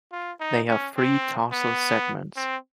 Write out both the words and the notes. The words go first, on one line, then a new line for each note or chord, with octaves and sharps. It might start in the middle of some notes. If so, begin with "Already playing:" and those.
They have three tarsal segments.
F4
D#4
C#4
C4
B3
C4